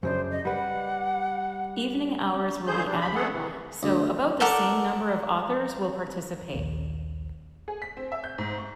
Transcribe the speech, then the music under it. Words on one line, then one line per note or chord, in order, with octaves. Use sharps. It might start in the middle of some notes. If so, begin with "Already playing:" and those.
Evening hours will be added so about the same number of authors will participate.
F#2 C#3 D4 C5
D#5
G3 B4 F#5
D3 E3 F3 G#4 C5 G6
G3 D4
D#2 B5
A3 B3 G#4 A4 F#5
C3 D#3 E3
D2
A4 A#4 F#5 D6
A#1 D#2
G#4
B6
C4
E5
G6
G#2
C#6